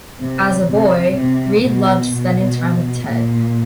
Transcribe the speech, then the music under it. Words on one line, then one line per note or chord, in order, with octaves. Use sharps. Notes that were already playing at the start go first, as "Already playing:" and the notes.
As a boy, Reed loved spending time with Ted.
C3
C3
C3
B2
B2
A#2